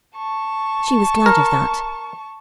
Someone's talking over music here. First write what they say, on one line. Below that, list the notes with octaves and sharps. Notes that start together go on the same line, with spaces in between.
She was glad of that.
A5 C#6
A#4